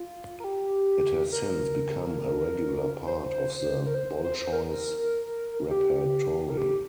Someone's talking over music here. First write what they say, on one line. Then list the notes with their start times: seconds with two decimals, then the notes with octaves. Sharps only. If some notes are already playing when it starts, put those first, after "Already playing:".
It has since become a regular part of the Bolshoi's repertory.
Already playing: F4
0.40 A#4
0.44 G4
1.32 A#4
3.07 C5
3.87 A#4
3.95 C5
4.24 C5
4.53 A#4
5.70 G4
6.50 A#4
6.57 G4